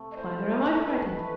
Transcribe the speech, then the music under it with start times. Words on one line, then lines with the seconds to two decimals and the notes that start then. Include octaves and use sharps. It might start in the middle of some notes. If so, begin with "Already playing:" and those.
"Neither am I frightened."
Already playing: C3 A3
0.11 D#5
0.16 E3 C5
0.51 A3 D#4 G4
0.75 A4
0.84 E3 B4
1.19 A3